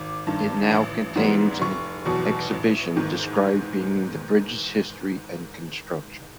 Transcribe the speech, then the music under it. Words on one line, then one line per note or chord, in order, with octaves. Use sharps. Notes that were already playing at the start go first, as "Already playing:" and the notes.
It now contains an exhibition describing the bridge's history and construction.
Already playing: G#1 D6
G2 D#3
A1
G#2 E3 G3 B3
F1 C#6
E2 B2 F#3
A1
G#2 D#3